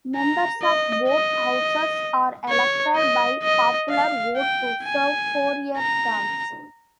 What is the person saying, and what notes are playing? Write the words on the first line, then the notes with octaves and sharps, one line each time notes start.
Members of both houses are elected by popular vote to serve four-year terms.
A#5
D#5
D#5
C#5
D#5
D#5
F5
G5
G#5
A#5